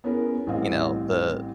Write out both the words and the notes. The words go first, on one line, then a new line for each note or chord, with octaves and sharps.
you know, "The
B3 C#4 E4 G#4 A#4 B4
A1 E3 G3 C4 D#5 F5